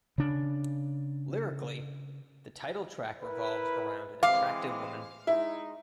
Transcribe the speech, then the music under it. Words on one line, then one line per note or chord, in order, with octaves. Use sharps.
Lyrically, the title track revolves around an attractive woman.
C#3 D4
E4 A#4 B4
E3 G#3 C4 F5 D6
G#3 D#4 E4